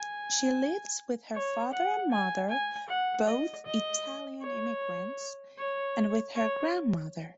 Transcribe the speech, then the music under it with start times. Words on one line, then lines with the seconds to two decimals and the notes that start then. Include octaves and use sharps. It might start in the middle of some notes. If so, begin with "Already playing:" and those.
She lives with her father and mother, both Italian immigrants, and with her grandmother.
Already playing: G#5
1.34 C#5
1.73 F#5
2.12 G#5
2.50 G#5
2.88 F#5
3.27 D#5
3.66 D#5
4.43 C#5
5.58 C#5
6.36 C#5